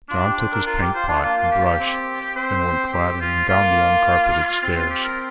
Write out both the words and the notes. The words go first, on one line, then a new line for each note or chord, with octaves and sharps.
John took his paint pot and brush and went clattering down the uncarpeted stairs.
D4 F4
G4
C5
A#4
F4 A#4
G4
F4 C5
D4 F4
A#3 F4
F4
G4
G4
C4
C4 C5
G4
F4
A#3 F4
C4 F4
F4
G4
A#4